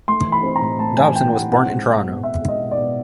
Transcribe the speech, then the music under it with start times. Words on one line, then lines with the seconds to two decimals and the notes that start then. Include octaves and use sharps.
Dobson was born in Toronto.
0.08 A3 C6
0.26 E3
0.32 B5
0.43 C4
0.56 A#5
0.62 A2
0.79 A3 A5
0.97 E3 G#5
1.15 C4 G5
1.33 A2 F#5
1.52 C4 F#5
1.69 G#3
1.88 B2
2.05 B2
2.24 C4 E5
2.42 G#3
2.48 D#5
2.60 B2
2.71 D5
2.77 B2